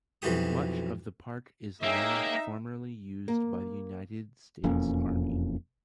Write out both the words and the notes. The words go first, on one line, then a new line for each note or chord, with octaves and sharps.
Much of the park is land formerly used by the United States Army.
B1 F2 E3 F#4 G4 D#6
A#3 D#4 G#4 C#5 E5 G5
A#3
E1 F2 A#3 C#4